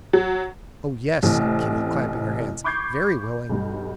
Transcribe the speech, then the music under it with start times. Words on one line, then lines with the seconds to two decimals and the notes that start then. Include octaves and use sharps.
"Oh, yes," said Kitty, clapping her hands, "very willing."
0.13 F#3
1.23 A1 C3 E3 A3
2.64 B5 C#6 D6 G6 G#6 C7
3.50 B1 G2